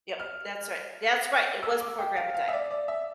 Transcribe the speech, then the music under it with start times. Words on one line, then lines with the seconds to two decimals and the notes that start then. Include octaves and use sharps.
Yep, that's right. That's right, it was before Grandpa died.
0.19 F6
1.63 E6
1.80 D6
1.99 G5
2.17 F5
2.34 F5
2.48 E5
2.53 D5
2.71 D5
2.88 E5